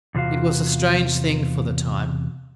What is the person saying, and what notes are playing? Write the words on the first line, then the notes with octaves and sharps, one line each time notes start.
It was a strange thing for the time.
E2 C3 F4 F#4 F5